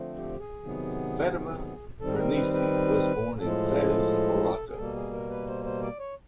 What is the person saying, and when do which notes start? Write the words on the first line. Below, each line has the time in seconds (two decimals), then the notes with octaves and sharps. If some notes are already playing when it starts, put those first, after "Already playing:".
Fatema Mernissi was born in Fez, Morocco.
Already playing: D3 F3 A3 C4
0.17 G4
0.40 G#4
0.63 C3 D#3 F#3 B3
2.01 D#3 G3 C4 A4
2.18 A#4
2.36 B4
2.53 B4
3.40 A2 F3 G#3 A4
4.68 G#4
4.77 B2 G3 A#3 A4
4.95 G#4
5.13 A#4
5.30 B4
5.48 C5
5.65 C5
5.82 D5
5.99 C#5